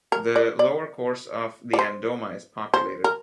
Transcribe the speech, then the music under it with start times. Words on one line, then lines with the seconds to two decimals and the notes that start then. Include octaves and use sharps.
The lower course of the Andoma is populated.
0.12 A#4
0.36 D5
0.59 D5
1.73 D5
1.79 C5
2.74 C5
3.04 A#4